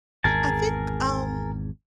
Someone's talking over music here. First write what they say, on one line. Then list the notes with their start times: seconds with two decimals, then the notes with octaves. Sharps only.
I think um,
0.24 G#1 E2 G#4 A#4 A5